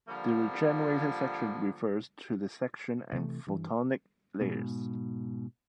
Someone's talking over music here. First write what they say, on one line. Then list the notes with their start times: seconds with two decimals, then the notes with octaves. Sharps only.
The regenerator section refers to the section and photonic layers.
0.08 D3 F3 G3 A#3
3.12 C3 E3 G3 A3
3.47 G2 E3
4.41 G#2 B2